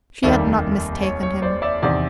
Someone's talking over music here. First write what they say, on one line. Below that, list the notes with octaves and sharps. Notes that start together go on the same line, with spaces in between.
She had not mistaken him.
F1 D#2 D#3 G3 A#3 D5 E5
C#5
C#5
C5 D5
D5 E5
E2 C3 D#3 D5 E5